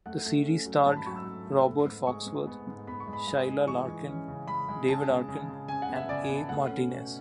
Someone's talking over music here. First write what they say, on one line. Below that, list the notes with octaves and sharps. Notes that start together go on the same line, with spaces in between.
The series starred Robert Foxworth, Sheila Larken, David Arkin, and A Martinez.
A3 F#5
A3
C#4
F#3
G#2 A5
B5
F#3 C#6
E6
A3
A3
B3
G#2
G#3 C#6
G#2
B3
G#2
B3 B5
C#6
G#3
B5
G#3
G#3
E3 C#6
E3
C#4
C#3
G#3 B5
G#3
C#3 A5
G#3
C#3
C#3
C#3 G#5
F#5
B3
E5
C#3 D5
G#5
B3
A5
A3 F#5
C#4
B2